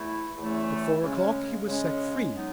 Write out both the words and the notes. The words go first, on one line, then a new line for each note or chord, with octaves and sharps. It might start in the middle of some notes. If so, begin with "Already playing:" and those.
At four o'clock he was set free.
Already playing: E2 A3 E4
E2 C#3 E3 A3 E4
C#3 G#3 C#4
C#3 G#3 C#4
F#3 B3 D#4